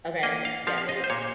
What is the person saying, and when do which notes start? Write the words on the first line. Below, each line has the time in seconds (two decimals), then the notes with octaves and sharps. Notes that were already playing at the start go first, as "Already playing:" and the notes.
Okay, yeah, me either.
0.23 A#3 D#5
0.45 F5
0.67 F3 F5
0.78 F5
0.89 D#5
1.04 C5
1.10 A#2 C#5